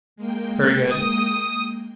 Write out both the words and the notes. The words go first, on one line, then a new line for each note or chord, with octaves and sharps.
"Very good!"
G#3 A#3 G5
D#6